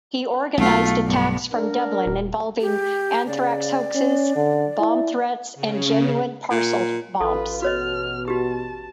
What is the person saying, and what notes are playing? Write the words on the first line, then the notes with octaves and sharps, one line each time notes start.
He organised attacks from Dublin involving anthrax hoaxes, bomb threats, and genuine parcel bombs.
B1 A3 F4
G2 B3
D4 A#4
D#1
G4
C#3 D5
C#4
D3
E4
C#3
A#2
A1 F4 A4 B4
B2 F#4 C#5 D#5 F6
F#4 G4 A5